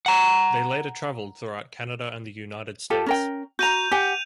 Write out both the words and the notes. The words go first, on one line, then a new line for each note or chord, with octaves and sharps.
They later traveled throughout Canada and the United States.
F#5 A#5
F4 G4 A4
C#4 A#4 G5
F#4 A#5 G6 D#7 F7
G4 F#5 G#5